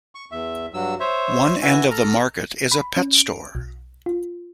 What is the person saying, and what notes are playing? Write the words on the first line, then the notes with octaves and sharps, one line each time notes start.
One end of the market is a pet store.
C#6
E2 E5
G2 F#3 E6
C5 C#5 E5
E3 F#4 E5 G#5
A4 A#5 F6
B5
C#4
D7
B1
F4